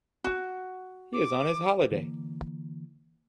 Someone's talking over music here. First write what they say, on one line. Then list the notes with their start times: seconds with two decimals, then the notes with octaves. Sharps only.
He is on his holiday.
0.24 F#4
1.13 D6
1.91 D3 E3 A#3